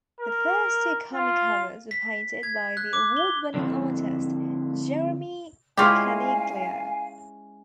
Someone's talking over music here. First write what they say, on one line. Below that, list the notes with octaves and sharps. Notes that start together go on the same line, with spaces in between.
The first two comic covers were painted by the award-winning artist Jeremy Caniglia.
A#4
F4
B6
G#6
F#6
D6
G7
D3 F3 C4 E4
G#3 C#4 E4 F4 G4 F5 G#5